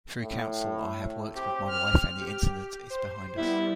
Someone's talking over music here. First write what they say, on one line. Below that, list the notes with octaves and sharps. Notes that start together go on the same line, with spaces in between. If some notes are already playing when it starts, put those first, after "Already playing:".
Through counsel I have worked with my wife and the incident is behind us.
A2
C4 G4
F6
G4
C5
G3 B3 E4